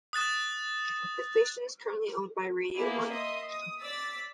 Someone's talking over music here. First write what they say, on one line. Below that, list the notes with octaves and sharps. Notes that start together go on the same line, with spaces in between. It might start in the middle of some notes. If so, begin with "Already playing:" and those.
The station is currently owned by Radio One.
D#6 F#6 A6 E7
A#3 B3 E4 G#4 D5
D#5 E5 C6 D#6
D#6
D5 E6 A6 B6